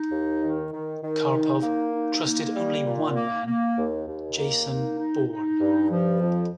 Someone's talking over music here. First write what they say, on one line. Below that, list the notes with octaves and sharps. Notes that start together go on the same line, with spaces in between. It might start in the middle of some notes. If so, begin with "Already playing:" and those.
Karpov trusted only one man: Jason Bourne.
Already playing: D#4
D#2
D#3
D#3
D#3
D#4
A#3
D#4
A#3
G3
A#2
A#3
A#3
D#2
D#2
A#3
D#4
D#4
D#4
G2
F3
F2